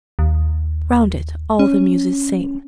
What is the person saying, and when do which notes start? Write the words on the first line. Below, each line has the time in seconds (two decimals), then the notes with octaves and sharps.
Round it all the Muses sing.
0.19 D#2
1.59 C#4